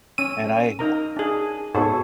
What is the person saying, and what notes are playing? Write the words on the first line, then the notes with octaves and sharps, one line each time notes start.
And I, uh
C#4 E6 D#7
D#4 A#4 A#5
D4 G#4
G#2 B2 A4 C#5